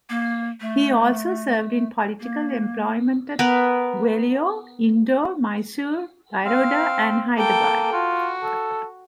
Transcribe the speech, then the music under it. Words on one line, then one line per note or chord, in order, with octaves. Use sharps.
He also served in political employment at Gwalior, Indore, Mysore, Baroda and Hyderabad.
A#3
A3
A#3
B3 A#4 B4
C4 F5
A#3 A4 G5
F4 F#4
A4